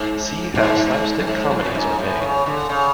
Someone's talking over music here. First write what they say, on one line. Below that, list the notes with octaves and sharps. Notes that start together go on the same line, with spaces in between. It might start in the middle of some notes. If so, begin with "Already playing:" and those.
See how slapstick comedies are made.
Already playing: G#2
G#2
F#2
G#2
F#2
A2
G#2
A2
C#3
D3
C#3